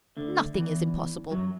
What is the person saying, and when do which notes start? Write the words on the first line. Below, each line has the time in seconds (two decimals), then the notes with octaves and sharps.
Nothing is impossible.
0.17 D2 D3
0.55 E2 E3
1.31 F#2 F#3